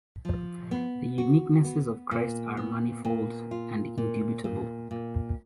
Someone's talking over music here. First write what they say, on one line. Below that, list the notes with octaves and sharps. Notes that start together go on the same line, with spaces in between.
The uniquenesses of Christ are manifold and indubitable.
F3
B3
F#4
B3
A#2
B3
A#2
F4
A#2
A#2
A#2